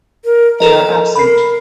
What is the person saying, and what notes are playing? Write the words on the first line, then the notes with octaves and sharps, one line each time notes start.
They are absent.
A#4
A4 A#4 D#5 A#5
A#4 B5 C7